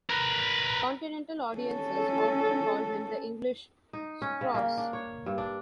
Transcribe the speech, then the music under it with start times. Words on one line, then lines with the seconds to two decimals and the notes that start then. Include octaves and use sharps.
Continental audiences often called him "The English Strauss".
0.10 A#4 B4
1.57 C#4 A4
3.93 D#4
4.22 C#4
4.41 C#3
4.54 A#3
4.78 D4
4.93 C#5
5.26 G2
5.38 D4